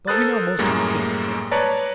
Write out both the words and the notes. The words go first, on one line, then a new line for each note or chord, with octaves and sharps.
But we know most of its secrets now.
A4 A#4 C5 D#6 F#6 A6
F#2 A2 G3 G#3 A#3
B4 C#5 D5 A5 A#5